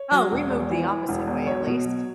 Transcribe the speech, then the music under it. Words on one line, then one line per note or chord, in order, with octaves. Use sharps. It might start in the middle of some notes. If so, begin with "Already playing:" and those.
Oh, we moved the opposite way at least.
Already playing: C#5
F#3
E1
E2
E3
E3
E1
E2
B1 C#5
B2
F#3